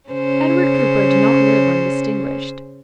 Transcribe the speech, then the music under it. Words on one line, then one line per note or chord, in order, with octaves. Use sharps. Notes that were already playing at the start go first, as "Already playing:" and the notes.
Edward Cooper did not live undistinguished.
C#3 C#4 C5